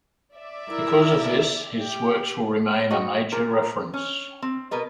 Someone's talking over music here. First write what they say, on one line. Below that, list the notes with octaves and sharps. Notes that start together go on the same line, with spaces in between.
Because of this, his works will remain a major reference.
D5 E5
E4 A#4
G4
F#4 G#4 D#5 F#5 G5
A#2 A#4
C#4
C4
B2 A#4 B4 D#5